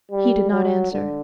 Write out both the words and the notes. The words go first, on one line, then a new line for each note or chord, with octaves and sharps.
He did not answer.
G3
F#3
D3